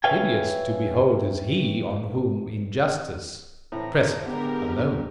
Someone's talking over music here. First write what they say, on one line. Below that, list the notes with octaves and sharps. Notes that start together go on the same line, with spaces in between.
Hideous to behold is he on whom injustice presseth alone.
B4 C#5 E5 F5 G5 G#5
A2 E3 C4 A#5
D3 G#3 B3 G4 A#4